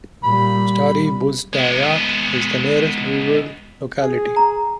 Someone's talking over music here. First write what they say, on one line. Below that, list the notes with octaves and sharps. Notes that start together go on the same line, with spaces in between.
Stary Buzdyak is the nearest rural locality.
A#2 G3 B5
G#3 B3
G#4
A#5